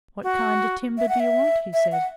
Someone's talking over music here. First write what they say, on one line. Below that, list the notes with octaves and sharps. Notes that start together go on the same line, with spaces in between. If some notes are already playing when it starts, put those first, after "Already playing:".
"What kind of timber do you want?" he said.
F#4
E5
F#5
E5
E5
F#5